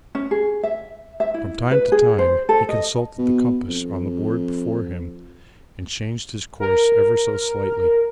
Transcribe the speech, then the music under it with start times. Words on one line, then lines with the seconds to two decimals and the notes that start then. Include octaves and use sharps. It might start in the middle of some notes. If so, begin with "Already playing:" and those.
From time to time he consulted the compass on the board before him, and changed his course ever so slightly.
0.15 C#4
0.31 G#4
0.63 E5
1.20 E5
1.34 E4
1.71 B4
1.92 G#4
2.19 C5
2.49 A4
2.69 D#5
3.18 B2
3.68 F2
6.60 A#4